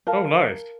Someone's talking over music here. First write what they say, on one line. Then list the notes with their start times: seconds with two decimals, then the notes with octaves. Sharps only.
Oh, nice.
0.07 A#4 F5 A5